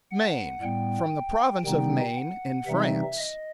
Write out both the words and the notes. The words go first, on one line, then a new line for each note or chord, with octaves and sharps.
Maine--From the province of Maine, in France.
F#5
A2 G3 B3 G5
C3 D#3 G3 B3 D#4 G5
F#5
C3 E3 G3 C4 D#4 E5
D#5